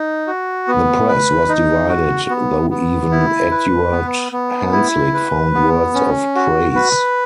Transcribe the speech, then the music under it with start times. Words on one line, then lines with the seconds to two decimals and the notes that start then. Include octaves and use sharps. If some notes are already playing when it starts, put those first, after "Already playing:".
The press was divided, though even Eduard Hanslick found words of praise.
Already playing: D#4
0.27 F#4
0.68 B3
1.08 B4
1.49 D#4
1.89 F#4
2.29 B3
2.70 B3
3.11 E4
3.51 B4
3.92 B3
4.32 B3
4.73 E4
5.14 B4
5.55 B3
5.95 C#4
6.36 F#4
6.76 B4